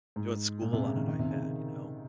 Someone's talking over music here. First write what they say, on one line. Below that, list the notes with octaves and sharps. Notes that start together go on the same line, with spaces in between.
doing school on an iPad, you know,
G#2
A#2
C3
C#3
D#3
D#3
C3
C#3
C#3